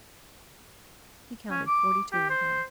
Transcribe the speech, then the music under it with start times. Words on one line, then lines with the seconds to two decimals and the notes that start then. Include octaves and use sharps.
He counted forty-two of them.
1.51 C#4
1.67 D6
2.13 G4
2.30 C5